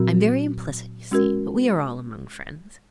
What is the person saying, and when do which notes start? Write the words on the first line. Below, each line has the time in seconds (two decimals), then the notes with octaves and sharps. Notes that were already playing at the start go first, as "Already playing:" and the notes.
I am very implicit, you see; but we are all among friends.
Already playing: A#2 F#3 C4 F#4 A#4
1.11 G#3 C#4 F#4 A#4